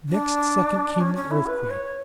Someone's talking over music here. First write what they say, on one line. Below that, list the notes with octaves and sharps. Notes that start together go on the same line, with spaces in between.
Next second came the earthquake.
D4
C#4
C#4
E4
B4
C#5